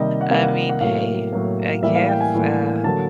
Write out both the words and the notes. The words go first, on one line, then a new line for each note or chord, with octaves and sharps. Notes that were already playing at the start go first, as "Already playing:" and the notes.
I mean hey. I guess, uh,
Already playing: C3 D#3 G3 A#3 D#5
F#5
C3 D#3 G3 A#3 F5
F#5
F#5
A2 F#3 A#3 F5
A2 F#3 A#3
A2 E3 G3 A#3 E5
F5
G5
G#5
A2 E3 G3 A#3
D3 F#3 A#3 A5